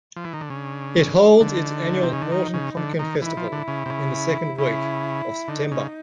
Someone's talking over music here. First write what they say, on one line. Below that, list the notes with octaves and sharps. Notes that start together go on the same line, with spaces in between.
It holds its annual Morton Pumpkin Festival in the second week of September.
F3
E3
D#3
D3
C#3 D4
D3 D#4
C3
C#3
D3
D#3
C#3
D3
D#3
E3 E4
F3
D3
C#3
C3
C#3
C#3 E4
D3 D#4
C#3